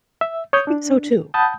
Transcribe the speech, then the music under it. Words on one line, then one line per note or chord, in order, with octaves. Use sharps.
I think so too.
E5
C#5 D#6 G6
D4
F#5 A5 B5 D#6 G6